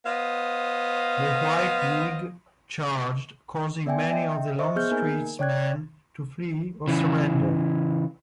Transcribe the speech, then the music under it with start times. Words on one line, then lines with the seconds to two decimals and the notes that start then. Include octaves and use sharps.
The White League charged, causing many of Longstreet's men to flee or surrender.
0.05 B3 C5 D#5 F5
3.86 B3 D5 E5 G5 G#5
4.11 D#5 E5 G5
4.59 C5 D#5 E5 C#6
4.76 B3 G#4 F6 G6
4.91 A#3 D#4 A#4 G#5
5.39 C#5 D5 G5 F#6 G#6
6.87 C#3 E3